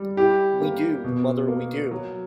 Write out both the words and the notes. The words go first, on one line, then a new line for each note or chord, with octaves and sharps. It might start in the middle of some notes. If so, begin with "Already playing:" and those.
We do, mother, we do!
Already playing: G3
E4 G4
A#3
B2
A#3
F#3